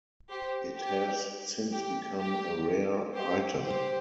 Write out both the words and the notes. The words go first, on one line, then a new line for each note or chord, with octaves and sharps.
It has since become a rare item.
G4 C5
G4
G4
G4
G4 C5
G4 C5